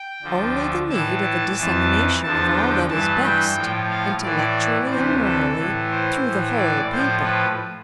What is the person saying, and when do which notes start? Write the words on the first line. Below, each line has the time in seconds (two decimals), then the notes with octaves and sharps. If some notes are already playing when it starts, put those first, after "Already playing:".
Only the need of a dissemination of all that is best, intellectually and morally, through the whole people.
Already playing: G5
0.23 D2 D3 F3
0.90 A2 E3 A5
1.23 A5
1.56 F2 E3 A5
2.23 E2 D3 F3 A5
2.57 G5
2.90 G2 E3 A5
3.24 G5
3.57 A2 F3
3.90 F5
4.23 A2 E3 D5
4.90 D2 C3 E3 C5
5.25 A4
5.57 A2 E3
5.91 C5
6.25 A2 E3
6.58 D5
6.91 A2 F3 C5
7.25 B4